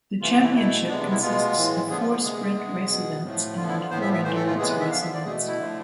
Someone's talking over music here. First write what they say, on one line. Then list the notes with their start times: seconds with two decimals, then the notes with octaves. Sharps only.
The Championship consists of four Sprint race events and four Endurance race events.
0.21 C3 E3 A3 F4
0.32 F4
0.43 E4
0.49 D4
0.54 B2 A3 E4
0.88 C3 G#3 B3 D4
1.00 D4
1.11 E4
1.22 B2 G#3 B3 F4
1.55 A2 E3 G#3
1.89 D3 F3 B3 G#4
2.00 F4
2.11 F4
2.23 C3 G#3 B3 G#4
2.56 C3 G#3 B3
2.90 B2 B3
3.23 A2 F3 A3
3.57 D3 F3 B3 F4
3.68 E4
3.79 F4
3.90 A2 F3 B3 C5
4.02 E5
4.13 E5
4.24 A2 E3 A3 C5
4.35 A4
4.46 F4
4.58 C3 E3 G#3 B3 G#4
4.69 B4
4.80 E5
4.91 D3 F3 B3 F5
5.02 E5
5.14 D5
5.25 B2 A3 G#4
5.47 E4
5.58 D3 F3 A3